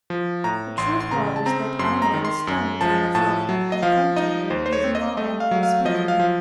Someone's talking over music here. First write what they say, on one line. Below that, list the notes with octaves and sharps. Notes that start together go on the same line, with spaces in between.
The truth was that Alma was stunned by a thought that had come to her even while Anna was speaking.
F3
A2 A#5
A1 C6
C6
C#3 A#5
A5
C4 A#5
F#2 C6
A#5
D#3
C6
F#2
F3 A5
A2 A5
F#3
D#5
F3 F5
D#4 D#5
D#2 C5
C5
C#5
C4
D#5
A3 D#5
F5
F#3
F5
F3 D#5
F5
F3